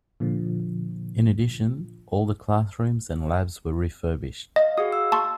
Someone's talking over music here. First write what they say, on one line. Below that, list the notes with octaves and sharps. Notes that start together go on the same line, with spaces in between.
In addition, all the classrooms and labs were refurbished.
A#2 D3 F3
D#5 F5
F#4 G#4 F5 D#6
E6
A5 C6 C#6